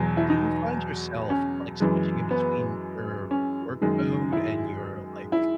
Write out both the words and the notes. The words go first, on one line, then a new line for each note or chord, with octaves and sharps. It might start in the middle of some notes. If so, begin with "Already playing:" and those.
Do you find yourself, like, switching in between your work mode and your, like,
Already playing: E2 B2 F#3
E4
D#4
C#4
F#2 E3 G#3
B3
C#4
F#2 D#3 G#3
E4
E4